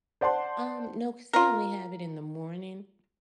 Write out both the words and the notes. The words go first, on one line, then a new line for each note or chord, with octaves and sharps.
Um, no, 'cause they only have it in the morning.
C5 D5 F#5 A5 C6
F4 A#4